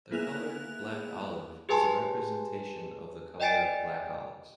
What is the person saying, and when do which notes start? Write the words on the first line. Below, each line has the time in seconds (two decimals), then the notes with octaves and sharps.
The color "black olive" is a representation of the color of black olives.
0.11 A#3 B3 E4 G#4 F#6 F7
1.69 G4 G#4 B4 G#5 A5 C6
3.40 D5 D#5 G5 G#5 A6 D7